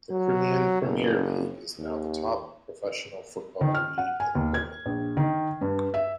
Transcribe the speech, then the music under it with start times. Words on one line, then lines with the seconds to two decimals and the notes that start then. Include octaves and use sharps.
The Crimean Premier League is now the top professional football league in Crimea.
0.11 F#3
0.82 F#1
1.78 D#2
3.61 D#3
3.75 F6
3.98 F#5
4.20 G#5
4.35 D#2
4.54 G#6
4.86 A#1
5.17 D#3
5.61 G2
5.94 E5